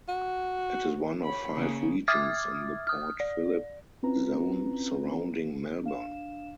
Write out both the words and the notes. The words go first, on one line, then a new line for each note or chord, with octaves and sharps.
It is one of five regions in the Port Philip zone surrounding Melbourne.
F#4
C#5 B5
C#3 A#3 G#4
E5 D6 D#6 F6 G#6 A6
D#6 F6
D5
C4 C#4 E4 F4 B4 A#5
D4 F5 E7